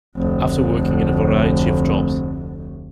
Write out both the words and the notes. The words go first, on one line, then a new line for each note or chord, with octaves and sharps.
After working in a variety of jobs.
F1 D2